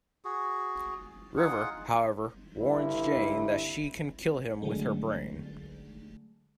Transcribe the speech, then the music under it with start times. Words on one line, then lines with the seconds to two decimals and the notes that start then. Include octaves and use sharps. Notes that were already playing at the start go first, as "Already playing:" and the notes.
River, however, warns Jayne that she can kill him with her brain.
0.25 F#4 G#4
1.37 D#4 F4 G#4 F#5
2.59 G2 D3 E4
4.62 D3 F#3 G#3 A3